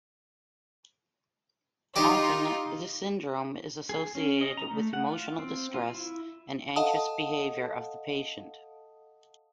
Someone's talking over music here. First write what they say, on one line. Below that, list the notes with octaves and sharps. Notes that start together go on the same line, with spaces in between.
Often, this syndrome is associated with emotional distress and anxious behaviour of the patient.
D#4 F4 G4 D#5
G#4
C#4
D#5
A#5
A3
F#5
F4
C4
F4
E4
A4 D#5 F5 F#5 A5 D#6